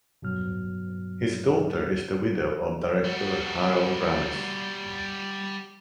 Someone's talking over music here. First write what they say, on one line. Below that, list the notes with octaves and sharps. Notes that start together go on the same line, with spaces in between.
His daughter is the widow of director Harold Ramis.
G2 B2 F#3 F6
G3 F#4